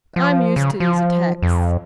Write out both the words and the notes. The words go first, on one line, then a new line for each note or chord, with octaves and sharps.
I'm used to these attacks.
F3
C#3
F3
F2